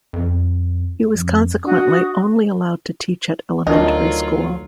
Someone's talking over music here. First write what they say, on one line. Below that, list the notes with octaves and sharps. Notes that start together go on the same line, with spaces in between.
He was consequently only allowed to teach at elementary school.
F2
F2
D4 F#4 D#6
D2 F#3 D4 D#4 F4 A#4 D#5